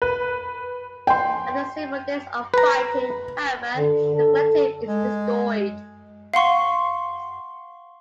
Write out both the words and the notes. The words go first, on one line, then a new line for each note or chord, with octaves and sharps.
After several days of fighting, however, the Collective is destroyed.
B4
G5 C6
B4 A#5
D3
A4
G#3
F5 F#5 C6 C#6